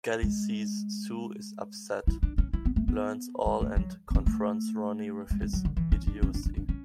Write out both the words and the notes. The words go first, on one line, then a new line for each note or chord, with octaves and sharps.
Gally sees Sue is upset, learns all and confronts Ronnie with his idiocy.
G#3
E4
D4
C#4
E4
B3
A3
B3
G#3
A3
F#3
B3
C#4
A3
G#3
G#3
F#3
D3
E3
C#4
D4
C#4
D4
D4
D4
C#4